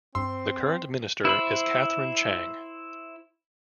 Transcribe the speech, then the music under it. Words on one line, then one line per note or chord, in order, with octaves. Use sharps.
The current Minister is Katharine Chang.
G2 C4 C6 E6
E4 C5 B5